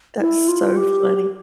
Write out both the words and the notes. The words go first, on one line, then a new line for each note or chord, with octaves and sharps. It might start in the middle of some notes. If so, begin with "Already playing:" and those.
That's so funny.
E4
F4
G4